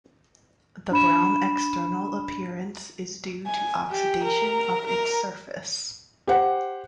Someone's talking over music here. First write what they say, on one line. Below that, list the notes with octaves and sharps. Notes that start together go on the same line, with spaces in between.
The brown external appearance is due to oxidation of its surface.
D4 B5 E7
G#5
G4
A#4
A#4
G4 C5 F#5